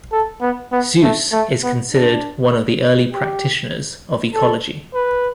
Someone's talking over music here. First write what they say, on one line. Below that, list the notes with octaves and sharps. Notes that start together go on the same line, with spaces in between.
Suess is considered one of the early practitioners of ecology.
A4
B3
B3
A3
A3
B3
D4
G4
A4
B4